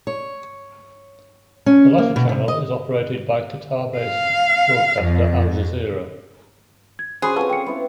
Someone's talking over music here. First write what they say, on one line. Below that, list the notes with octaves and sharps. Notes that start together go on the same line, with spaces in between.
The latter channel is operated by Qatar-based broadcaster Al Jazeera.
C#5
C#4
A#3
B2
C3
D#5
F5
F2
G#6
C#4 F#4 G#4 C5 B5 D#6 F#6
C4 F4 F#4 A4 B4 C#5
F5 G5 C#7
B3 E4 D6